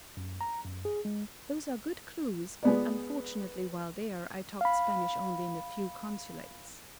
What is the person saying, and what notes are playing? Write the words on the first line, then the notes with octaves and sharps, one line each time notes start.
"Those are good clues, but unfortunately while there I talked Spanish only in a few consulates."
F#2
A#5
F#2
G#4
G#3
G#3 B3 D5
F5 B5